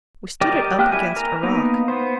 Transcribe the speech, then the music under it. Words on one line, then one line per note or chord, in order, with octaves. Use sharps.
We stood it up against a rock.
G4 A#4 D5 D#5 G5
A#3 G4 G5 F6 F#6
E4 E5 G#5
A#4 A#5
A#3 B3 D#4
B3 C5